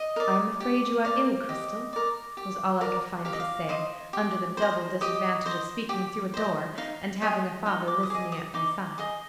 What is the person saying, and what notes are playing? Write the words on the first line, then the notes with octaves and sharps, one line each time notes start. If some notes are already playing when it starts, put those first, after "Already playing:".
"I am afraid you are ill, Cristel?" was all I could find to say, under the double disadvantage of speaking through a door, and having a father listening at my side.
Already playing: D#5
A#4 D5
G4
A#4 D5
G4 D#5
A#4 D5
G4
A#4 D5
G4 F5
D#5
F5
C5 D#5
G4
C5 D#5
G4 D#5
C5 D#5
G4
C5 D#5
D#4 F5
G#4 D#5 G5
D#4 G5
D6
D#6
G#4 D#5 D6
D#6
D#4 D6
G#4 D#5 D#6